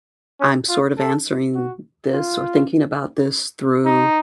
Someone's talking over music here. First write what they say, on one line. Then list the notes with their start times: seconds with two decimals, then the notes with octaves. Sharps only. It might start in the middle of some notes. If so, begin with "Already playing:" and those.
I'm sort of answering this or thinking about this through,
0.40 C#4
0.69 F4
0.97 A4
1.54 F#4
2.13 F4
3.85 D#4